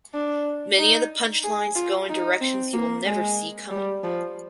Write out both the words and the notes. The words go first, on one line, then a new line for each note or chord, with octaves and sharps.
Many of the punchlines go in directions you will never see coming.
D4
D#4
G#4
F4
D#4
C4
A#3
G#3
G3
F3